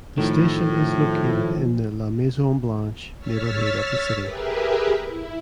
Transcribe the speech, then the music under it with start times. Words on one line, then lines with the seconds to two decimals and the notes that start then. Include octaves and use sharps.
The station is located in the "La Maison Blanche" neighbourhood of the city.
0.18 A2 D#3 F3
3.18 C#5 E6 F6 A6 B6
4.20 G4 G#4 A#4 B4 E5
5.00 E4